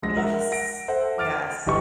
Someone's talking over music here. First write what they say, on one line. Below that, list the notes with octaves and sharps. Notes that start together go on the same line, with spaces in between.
Yes. Yes.
A#1 G#3 A#6
A#4 E5 F#5
F#5 A#6 D7
A4 C5 E5 F#5
D6 F6 A6 D7
G1 E3 G4 D#5 G5 C#6